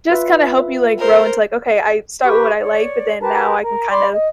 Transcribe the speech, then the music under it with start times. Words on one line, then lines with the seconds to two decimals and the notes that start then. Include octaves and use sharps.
just kinda help you, like, grow into, like, "Okay. I start with what I like, but then now I can kinda,
0.10 F4 B4 E5
0.98 A#4 C5
2.24 G4 B4 C#6
2.58 C#5 D5
3.21 G4 A#4 B4 A5
3.62 A#4
3.91 D5 B5 C6 D6
4.14 D#5